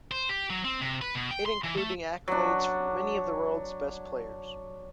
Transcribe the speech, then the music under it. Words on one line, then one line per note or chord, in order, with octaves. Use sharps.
It including accolades from many of the world's best players.
C5
G4
F#3
C4
C3
B4
B2
G5
C6
E3
A3
F#3 D4